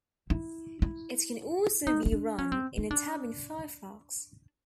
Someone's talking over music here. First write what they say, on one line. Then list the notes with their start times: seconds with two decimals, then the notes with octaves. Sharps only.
It can also be run in a tab in Firefox.
0.30 E4
0.82 E4
1.87 D#4
2.06 D#4
2.12 D4
2.39 C#4
2.52 C4
2.78 D#4
2.91 D4